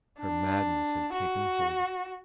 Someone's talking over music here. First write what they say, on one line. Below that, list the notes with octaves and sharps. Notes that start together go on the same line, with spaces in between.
Her madness had taken hold of her.
D4
F#4